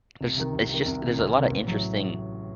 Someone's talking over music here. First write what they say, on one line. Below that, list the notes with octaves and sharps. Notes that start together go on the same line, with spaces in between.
there's it's just, there's a lotta interesting
C2
C3 D#3
C2
C3 D#3
C2
C3 D#3
C2
C3 D#3
A1
A2 F#3